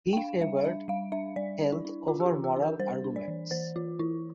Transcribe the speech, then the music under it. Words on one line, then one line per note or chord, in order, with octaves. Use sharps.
He favoured health over moral arguments.
G5
D4 F5
G3 E5
D4 E5
G3 F5
D4 E5
G3 D5
D4
E4
D4
D4 F4
G4
F4
E3
G4
D4
A#4
G3 C5
D4
D5
E3
E3 C5
E3 F4
E3 E4